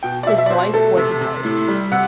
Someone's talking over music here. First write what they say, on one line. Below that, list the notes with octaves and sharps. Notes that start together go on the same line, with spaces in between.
His wife was an artist.
B2 G5
D5
B2 E5
E5
D5
B2 C5
A3 A4
C3
C3
A2
G3
C3 F#5